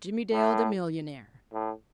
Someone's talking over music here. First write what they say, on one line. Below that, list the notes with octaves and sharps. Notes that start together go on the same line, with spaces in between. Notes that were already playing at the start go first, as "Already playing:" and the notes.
Jimmie Dale the millionaire!
A2
A2